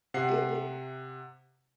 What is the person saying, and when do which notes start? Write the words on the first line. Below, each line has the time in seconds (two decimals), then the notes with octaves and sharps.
It it
0.14 C3 F#5 C7